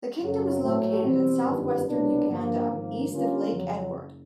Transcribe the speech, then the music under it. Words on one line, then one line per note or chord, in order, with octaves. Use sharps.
The kingdom is located in south-western Uganda, east of Lake Edward.
F#2 C#3 F#3
A2 F#3 A3
E2 B2 G3 C4
G1 F#2 D#3 G3 B3
C2 B2 F#3 B3 D4
G2 D3 F3 A#3
G#1 G#2 F3 A#3
D3 G3 A#3 C#4 F4
F2 C#3 F#3
F#1